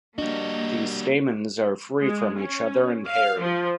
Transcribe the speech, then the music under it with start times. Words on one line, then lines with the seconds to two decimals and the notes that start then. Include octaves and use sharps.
The stamens are free from each other and hairy.
0.18 G3 A#3 D4 F#4 D#5
1.99 G#3
2.37 C#4
3.07 F5
3.40 F3